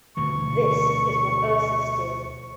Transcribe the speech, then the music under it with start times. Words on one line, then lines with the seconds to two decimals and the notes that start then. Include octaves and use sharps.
This is what Ursus did.
0.17 D2 B2 E3 C#6